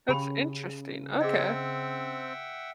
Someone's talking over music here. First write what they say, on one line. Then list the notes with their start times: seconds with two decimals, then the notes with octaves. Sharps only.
That's interesting, okay.
0.09 C#3 G4 G5 B5
1.21 C4 G#4 D#5 E5 F#5 G5